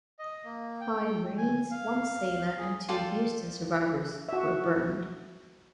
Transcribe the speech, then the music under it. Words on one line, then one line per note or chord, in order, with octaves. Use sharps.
Five Marines, one sailor and two "Houston" survivors were burned.
D#5
A#3
G5
G#5
F5
G#4
F4 A4 D5 G5
F#4 E5